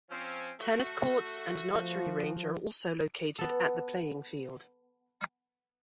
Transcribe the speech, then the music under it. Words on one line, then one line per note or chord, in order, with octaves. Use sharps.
Tennis courts and an archery range are also located at the playing field.
F3 C4 C#4
A3 F#4
F3
B3 A4